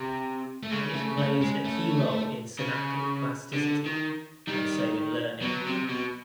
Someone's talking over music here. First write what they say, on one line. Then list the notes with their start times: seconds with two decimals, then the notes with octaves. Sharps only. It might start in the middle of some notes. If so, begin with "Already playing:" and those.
It plays a key role in synaptic plasticity and so in learning.
Already playing: C3
0.63 A3
0.71 C#3 G#3
0.94 A3
1.18 A3
1.42 G#3
1.65 A3
2.59 C#3
3.53 D3
3.85 D#3
4.47 D#3 G3
5.42 B2 F#3
5.66 C3
5.89 B2